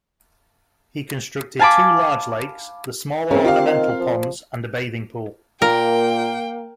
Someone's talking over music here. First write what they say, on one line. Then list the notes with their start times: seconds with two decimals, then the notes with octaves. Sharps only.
He constructed two large lakes, the smaller ornamental ponds and a bathing pool.
1.59 F5 G#5 A5 B5 D6
3.31 C#3 C4 C#4 A#4
3.44 F4 G4 F5
3.66 D#3
4.00 F3
5.62 A#2 A#3 A#4 G5